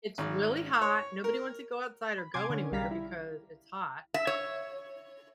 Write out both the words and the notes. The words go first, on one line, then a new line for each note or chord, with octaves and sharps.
It's really hot, nobody wants to go outside or go anywhere because it's hot,
G#1
C#5
A#4
B5
C3 G#5 C6 D6 G#6
D3 C#4
B1 C#3 G3 F5 A#5 B6
E4
E5
C#5